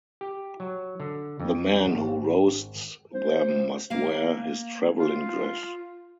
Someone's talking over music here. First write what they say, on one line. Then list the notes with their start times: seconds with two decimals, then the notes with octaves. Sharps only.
The man who roasts them must wear his travelling dress.
0.21 G4
0.60 F#3
1.00 D3
1.40 F2
1.86 G#1
3.14 C5
3.90 A#3 F5
4.99 F4